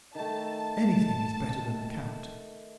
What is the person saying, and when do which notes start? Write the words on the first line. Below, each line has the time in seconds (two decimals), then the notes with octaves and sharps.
Anything is better than the count.
0.15 D#3 A3 A5